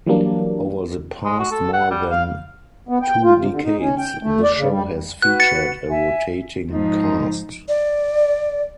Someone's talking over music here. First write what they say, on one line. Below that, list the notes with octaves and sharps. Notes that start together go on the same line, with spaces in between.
Over the past more than two decades, this show has featured a rotating cast.
E3 F#3 G3 A#3 D4
G#3
F#4
A4
F#5
G3
F5
B3
G5
F4
C3
D3
D#4
C#4
G5
A3
D5
C#3
G3
F#4 B4 F#5 F#6
A6 C#7
E5 G#5
G#2 F3 D#4
D5